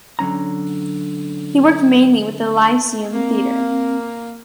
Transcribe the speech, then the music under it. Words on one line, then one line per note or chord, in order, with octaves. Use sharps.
He worked mainly with the Lyceum Theatre.
D3 F#3 C#4 A#5
A#3 C4